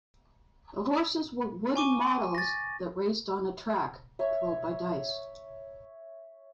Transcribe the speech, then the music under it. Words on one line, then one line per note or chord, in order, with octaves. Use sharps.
The "horses" were wooden models that raced on a track, controlled by dice.
G#5 C#6 D6 D#7
A6 A#6
C#5 E5